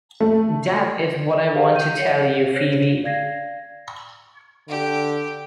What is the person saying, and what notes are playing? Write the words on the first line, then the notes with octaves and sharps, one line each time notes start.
That is what I want to tell you, Phoebe.
A3
G4 G#4 A#4 C5 F5
G6 D#7
C#5 F#5
C5 C#5
D5 F5 G#6 A#6 C7
D3 G4